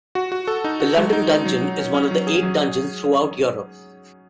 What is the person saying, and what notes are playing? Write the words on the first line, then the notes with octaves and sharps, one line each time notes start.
The London Dungeon is one of eight Dungeons throughout Europe.
F#4
F#4
A4
D#4
F#4
G#3
D#4
D#4
F#3
F#3
C#4
C#4
F#3
G#4
F#3